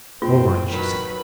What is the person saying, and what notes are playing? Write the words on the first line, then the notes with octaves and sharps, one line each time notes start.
"All right," she said.
F#1 A#2 E3 C4 F4
D#3 F#3 B4 B5